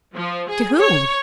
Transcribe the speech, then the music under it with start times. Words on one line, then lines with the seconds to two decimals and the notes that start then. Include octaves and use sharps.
"To whom?"
0.15 F3
0.50 G#4
0.79 C#5